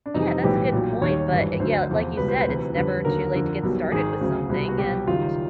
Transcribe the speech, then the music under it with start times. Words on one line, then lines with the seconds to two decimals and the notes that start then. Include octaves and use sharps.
Yeah, that's a good point, but, yeah, like you said, it's never too late to get started with something, and
0.06 D4
0.14 F2 C3 E3 G3 D#4
0.43 B1 A2 E3 G3 G4
0.72 B1 A#2 F#3
1.01 D#2 D#3 G3 C#5
1.31 G#1 G2 E3
1.60 D2 D3 F#3 C5
1.89 E2 C3 F3
2.17 C#2 B2 G3 B4
2.28 C5
2.38 B4
2.47 D2 C3 E3
2.75 F2 D3 G3 B4
3.05 D#2 D3 F#3 A#4
3.34 F2 D3 F3
3.63 B1 B2 G3
3.92 G#1 G#2 D#3 G#4
4.21 D2 C#3 F#3
4.49 C2 B2 G3
4.68 F#4
4.78 C2 B2 F#3 G4
5.07 F#1 F#2 D#3 G3 F4